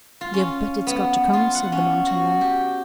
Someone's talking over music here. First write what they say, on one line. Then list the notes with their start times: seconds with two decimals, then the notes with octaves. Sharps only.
"You bet it's got to come," said the mountain lad.
0.21 F4
0.34 C#4
0.87 B3
1.33 F4
1.55 F#5
1.72 C#4
2.06 F#4
2.41 G4